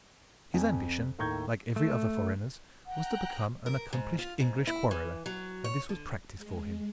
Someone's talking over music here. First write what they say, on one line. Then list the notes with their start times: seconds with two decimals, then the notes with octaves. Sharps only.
His ambition, like every other foreigner's, was to become an accomplished English quarreller, and this was practice for him.
0.54 F2 G#5
1.19 D#2 A2 A#5 C#6 G6 G#6
1.76 A3
2.86 F#5 G5 A#5 F#6
3.66 A#4
3.93 G#2
4.19 F4
4.40 G#2
4.67 E4
4.91 E3
5.26 F#3
5.64 C#5
5.89 D3
6.37 G#3